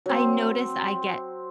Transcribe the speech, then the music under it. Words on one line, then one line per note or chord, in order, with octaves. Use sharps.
I noticed I get
F#3 C4